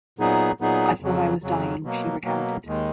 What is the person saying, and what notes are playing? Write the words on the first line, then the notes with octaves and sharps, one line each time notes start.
"I thought I was dying," she recounted.
A#2 F#3 B3 D#4 G#4
A#2 F#3 B3 D#4 G#4
F2 C#3 F#3
F2 C#3 F#3
B2 F#3 A#3
B2 F#3 A#3
D#2 D#3 G#3